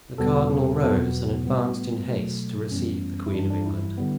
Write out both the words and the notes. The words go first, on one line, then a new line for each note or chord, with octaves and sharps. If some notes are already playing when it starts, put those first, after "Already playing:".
The cardinal rose, and advanced in haste to receive the queen of England.
E2 B2 G3 B3 A4
E2 B2 F#3 B3 A4
A2 G3 B3
B2 F#3 A3
F#2 E3 G3 B3 C#4
E4
G2 E3 G3 D4
D4
E4
D3 G3 B3